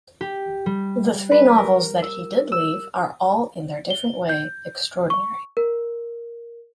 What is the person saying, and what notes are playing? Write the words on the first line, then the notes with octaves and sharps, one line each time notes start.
The three novels that he did leave are all in their different way extraordinary.
G4
G3
B4
A#4
E6
E6
G7
G6
C#6
A#4